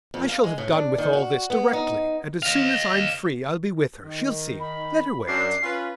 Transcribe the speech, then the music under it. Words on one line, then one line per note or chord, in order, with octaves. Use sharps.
I shall have done with all this directly, and as soon as I'm free, I'll be with her, she'll see, let her wait.
F2
F5
G#3
A2
D4
D#3
F#4
B3
D#4
D#5 F5
D#3
B5
F#2 D4 C7
C#4 F4 B4